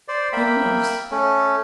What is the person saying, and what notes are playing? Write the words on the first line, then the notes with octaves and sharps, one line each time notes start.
You must.
C5 D5
A#3 E5 G5 B5
A3 C#4